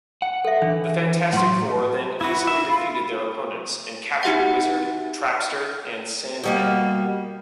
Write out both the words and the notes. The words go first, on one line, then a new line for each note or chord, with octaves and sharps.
The Fantastic Four then easily defeated their opponents, and captured Wizard, Trapster, and Sandman.
F#5
A4 E5
E3 D4
A2 F#3 F#5 C6
E4 F#4 B5
E5
F4
D#4 F#4 G4 E5 F#5
B2 G3 A#3